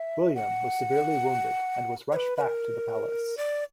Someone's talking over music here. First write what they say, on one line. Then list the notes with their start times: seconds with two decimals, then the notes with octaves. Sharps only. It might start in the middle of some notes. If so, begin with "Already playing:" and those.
William was severely wounded and was rushed back to the palace.
Already playing: E5
0.35 F#5
2.12 C#5
2.16 B4
2.37 B4
2.41 A#4
3.37 D5